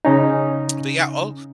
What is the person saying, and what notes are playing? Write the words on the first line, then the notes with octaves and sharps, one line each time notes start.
But, yeah, oh
C#3 C#4 D#4